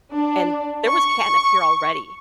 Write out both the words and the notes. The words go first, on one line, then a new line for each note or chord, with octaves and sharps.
and there was catnip here already
D4
C#6